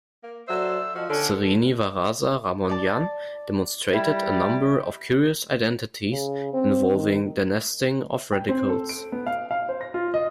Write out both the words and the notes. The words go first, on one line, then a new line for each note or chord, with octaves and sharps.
Srinivasa Ramanujan demonstrated a number of curious identities involving denesting of radicals.
A#3
F#3 A4 C5 D5 E5
F3 F#4 D#5
D3 C#4 A5
D5 A5
G3 E4
C#3
C4
D#3
G5
C4
A4
D7
B3
F5
F5
C5
A#6
F4
D#5